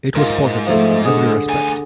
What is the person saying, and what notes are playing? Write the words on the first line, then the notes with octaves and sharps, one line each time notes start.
It was positive in every respect.
G#2 F4 A#4
F3 A3
D3 G#4
D2 G#5